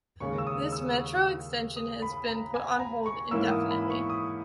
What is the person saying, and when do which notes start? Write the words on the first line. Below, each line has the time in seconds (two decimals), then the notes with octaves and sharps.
This Metro extension has been put on hold indefinitely.
0.20 D#2 C#3 G#3 C#6
0.38 E6
0.47 D#6
0.72 E6
1.76 D#6
2.02 B5
2.28 A#5
2.54 G#5
2.79 A#5
3.06 C#6
3.31 G#2 E3 A#3 C#4 E4 E6
3.51 D#6
3.71 B5
3.90 C#6
4.10 D#6